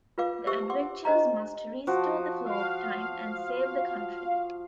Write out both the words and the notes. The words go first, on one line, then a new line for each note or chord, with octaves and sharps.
The adventurers must restore the flow of time and save the country.
F4 B4 F5 D6
G4 C5 E5 C#6 E6
F#5 C6 D6
D4 C5 D#5 A#5
F3 F#4
F5